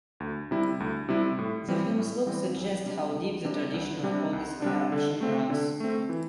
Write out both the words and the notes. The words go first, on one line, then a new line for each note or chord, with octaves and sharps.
The film's look suggests how deep the tradition of police corruption runs.
D2
C3 G3 E4
D2
C3 G3 E4
A2
E3 G3 C4
A2
E3 G3 C4
C2
C3 G3 D4
C2
C3 G3 D4
C2
C3 G3 D4
C2
C3 G3 D4
D3
A3 C4
D3
A3 C4
E3